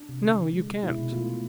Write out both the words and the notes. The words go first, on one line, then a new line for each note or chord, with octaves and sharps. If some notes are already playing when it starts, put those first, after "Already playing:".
"No, you can't."
Already playing: D4
C3
D3
D3
G#3
G#3
B2 E4
B2
A3 F4
A3